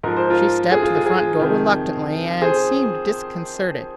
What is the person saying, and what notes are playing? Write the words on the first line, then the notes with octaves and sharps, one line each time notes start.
She stepped to the front door reluctantly, and seemed disconcerted.
G#2 F3 A#4
C5
F4 A#4
G#4
F4
G#4
G#4
F2 C3 D#3
G#4 C5